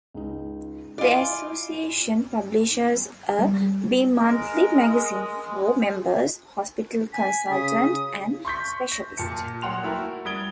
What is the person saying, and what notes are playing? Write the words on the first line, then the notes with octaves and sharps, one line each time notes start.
The association publishes a bi-monthly magazine for members, Hospital Consultant and Specialist.
C#2 D#4
E4 F4 D5 D#5 G#5
G3
G#3 A#4
G#5 B6
C#3 D#6
C6 C#6 G6 B6
A#6
A#2 A5 C#7
D#1 F#3 F#5 G5 C6 F7
A3 E4 F#4 A#4
G3 D#6 G#6 D7 G7